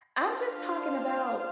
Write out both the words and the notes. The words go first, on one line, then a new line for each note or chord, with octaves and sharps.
I'm just talking about
D4 F4 C5 F5